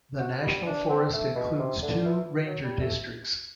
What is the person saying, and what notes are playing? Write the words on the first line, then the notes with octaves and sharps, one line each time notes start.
The national forest includes two ranger districts.
F#4
G3
D4
C4
A3
B2
C3
D3
E3
F#3
G3
A3